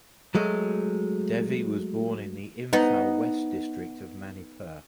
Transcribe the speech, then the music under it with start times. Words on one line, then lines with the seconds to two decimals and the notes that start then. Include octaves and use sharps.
Devi was born in the Imphal West district of Manipur.
0.35 F#3 G#3 A3
2.73 B3 D#4